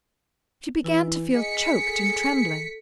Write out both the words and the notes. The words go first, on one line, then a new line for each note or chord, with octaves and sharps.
She began to feel choked and trembling.
E3 E4
G#4 D#5 B6 C#7
A4